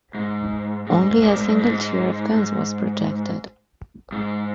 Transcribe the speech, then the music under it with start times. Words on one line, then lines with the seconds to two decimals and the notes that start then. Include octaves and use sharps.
Only a single tier of guns was projected.
0.15 G#2
0.87 G#2
1.23 A#2
1.35 G#2
1.47 G2
1.59 G#2
2.32 G#2
4.12 G#2